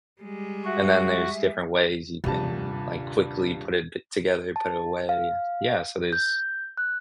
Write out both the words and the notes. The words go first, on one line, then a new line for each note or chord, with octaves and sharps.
and then there's different ways you can, like, quickly put it t together put it away, yes. Yeah, so there's
G3 G#3
F#4 E5
D#1 G2 C3 C4 A5
A5
F5
G6
F#6